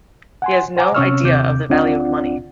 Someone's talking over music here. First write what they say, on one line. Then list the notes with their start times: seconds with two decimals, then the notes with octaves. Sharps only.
He has no idea of the value of money.
0.42 F#5 G#5 C6
0.77 C5 F#5 G#5 A#5 D6
0.95 C3 C#4 C#5 C#6 E6 F6
1.24 D#2 C3 D6 G6
1.69 D2 C4 D4 F4 D5 F#5